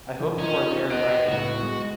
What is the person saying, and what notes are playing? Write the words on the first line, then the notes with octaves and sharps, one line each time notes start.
I hope you are there right now.
E3 F4
C#4 D#4 F4
B3 A#4 D#5 F#5 F#6 D7
C#2 A2 F#4
G#3